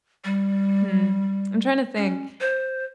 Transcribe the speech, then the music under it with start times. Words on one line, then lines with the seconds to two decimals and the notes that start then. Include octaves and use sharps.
hmm. I'm trying to think.
0.25 G3
1.97 C#4
2.41 C5